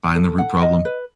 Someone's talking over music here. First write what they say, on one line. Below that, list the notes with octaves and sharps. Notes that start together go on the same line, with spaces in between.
find the root problem?
A4
F#5
D#5
B4